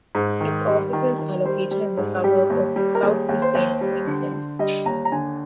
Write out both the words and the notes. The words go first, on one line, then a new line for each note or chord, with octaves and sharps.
Its offices are located in the suburb of South Brisbane, Queensland.
G#2
D#3
G3
D#3
D#3
G3 C5
G3
G#2
G3 G4
D#2
G3
A#4
D#2 G#4
D#2
C5
D#2
G3
D3
D3
G3 D#5
D#2 A#5
A#5
D3 G#5